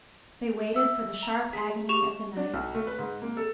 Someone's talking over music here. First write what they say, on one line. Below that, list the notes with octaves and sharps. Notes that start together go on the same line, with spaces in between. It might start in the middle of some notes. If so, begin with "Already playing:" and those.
They waited for the sharp agony of the knife.
E5 E6
A#5 F7
G#4 B6
G4 C#6 E7 F7
D4
B1
A3
B4
G#2
A#3
A4